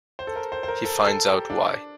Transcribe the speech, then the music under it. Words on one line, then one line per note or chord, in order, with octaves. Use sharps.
He finds out why.
C5
A4
A#4
C5
C5
A#4
A4
A4
G4
D4